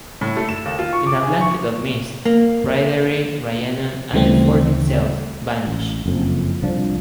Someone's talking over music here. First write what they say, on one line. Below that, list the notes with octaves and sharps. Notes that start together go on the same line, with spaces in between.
In a "blanket of mist", Pryderi, Rhiannon and the fort itself, vanish.
A2
A3
E7
D#2
F4
C#6
D6
G#4
C#6
A#3
D2 C#3 E3 G3 A3 C4
A1
F#1 F2
C2 F3 D4